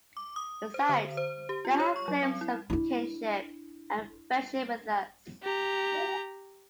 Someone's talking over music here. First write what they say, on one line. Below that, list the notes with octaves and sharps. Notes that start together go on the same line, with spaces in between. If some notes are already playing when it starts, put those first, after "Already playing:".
Besides they have claims of kinship and friendship with us.
D6
D#6
C5
D3
C5
G4
F4
C#5
C#6
F#3
C4
E4
D4 E4
G4 A#5